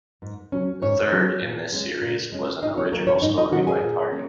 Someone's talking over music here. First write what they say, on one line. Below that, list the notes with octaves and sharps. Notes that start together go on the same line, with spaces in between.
The third in this series was an original story by Tardi.
G#2
F#3 C#4
G#2 C#4 C#5
F#3 C#4
A#2
G#3 C#4
A#2
G#3 C#4
G#2 D#4 D#5
C#4 C#5
D#3 F#3 A#3 C#4 A#4
C#4 C#5
G#2 D#4 D#5
D#4 D#5
D#3 F#3 C#4 F#4 F#5
G#4 G#5
A#2
A#3 C#4